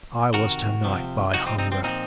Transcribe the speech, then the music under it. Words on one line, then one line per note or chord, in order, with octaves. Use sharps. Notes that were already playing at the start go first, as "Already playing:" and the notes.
I was to-night, by hunger.
C3 D#3 F#4 A#4
C3 F3
C3 F3 D#4 F#4
C4 D#4
C4 D#4
C4
A#2 F3 C4 D#4